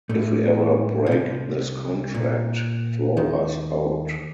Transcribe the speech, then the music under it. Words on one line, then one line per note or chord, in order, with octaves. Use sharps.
If we ever break this contract, throw us out.
A2 A3
A#2
C2 C3
A#2
D#2 D#3